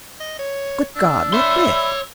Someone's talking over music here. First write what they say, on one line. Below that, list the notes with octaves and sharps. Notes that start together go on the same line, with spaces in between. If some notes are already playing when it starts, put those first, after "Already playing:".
'Good God! what with?'
D#5
C#5
D4 E6
C#5 D5 E5 B5 C6